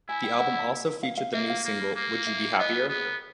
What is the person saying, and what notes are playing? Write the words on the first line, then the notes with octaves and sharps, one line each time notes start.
The album also featured the new single Would You Be Happier?
E4 G#5
G5
F#5
F5
F5
A#3 E5
F5
A#3
A#3
E5
B3 D#5
A#4
A4
B3 G#4
A#4